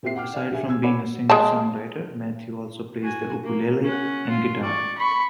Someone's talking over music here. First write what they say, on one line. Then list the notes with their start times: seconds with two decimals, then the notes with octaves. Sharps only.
Aside from being a singer-songwriter, Matthew also plays the ukulele and guitar.
0.03 A#2 C4 G4 E5 C7
0.16 F#5 G5 D6 F6
0.33 D5 F5 G#5 F6
0.50 A#1 G4 E5 G#5
0.67 G#5 E6 G#6
0.83 C#5 F#5 G#5 B5 D6
1.30 G#3 G#4 A5
3.03 F#4 G#5
3.44 A#3
3.84 C#4 F#5
4.30 F4
4.62 D5 C#6
4.97 B5 C#6